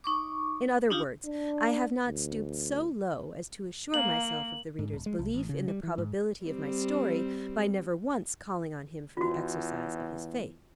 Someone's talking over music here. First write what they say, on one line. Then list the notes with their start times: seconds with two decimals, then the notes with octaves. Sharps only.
In other words, I have not stooped so low as to assure myself of the reader's belief in the probability of my story, by never once calling on him for the exercise of his faith.
0.04 D#4 C#6 D6
0.90 D4 D#4 F4 G4 F5
1.25 D4
2.07 D2
3.94 A#3 F#7
4.79 G#2
4.93 D#1
5.06 G#3
5.19 C2
5.34 A1
5.49 C#3
5.68 G3
5.83 E3
5.98 G#2
6.45 G3 C4
9.17 E2 F4 F#4